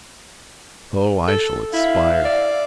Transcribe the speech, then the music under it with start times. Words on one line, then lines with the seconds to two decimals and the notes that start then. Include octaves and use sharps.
O, I shall expire!
1.28 A4
1.73 E4 E5 F5
2.25 D5